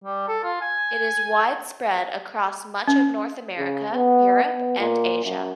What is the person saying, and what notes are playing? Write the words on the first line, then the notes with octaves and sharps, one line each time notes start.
It is widespread across much of North America, Europe and Asia.
G3
A4
F4
G#5
C#4
C#3
B3
B3
A#2
F#2